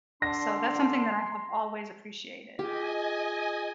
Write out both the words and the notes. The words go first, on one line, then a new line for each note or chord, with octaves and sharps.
So, that's something that I have always appreciated,
D3 D4 C6 A#6
F4 G4 G#4 D#5 G#5